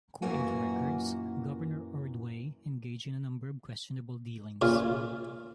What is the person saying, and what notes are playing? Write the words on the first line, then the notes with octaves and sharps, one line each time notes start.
According to records, Governor Ordway engaged in a number of questionable dealings.
F#2 A#2 E3 A#3 F#4 G#5
A#2 C#3 F4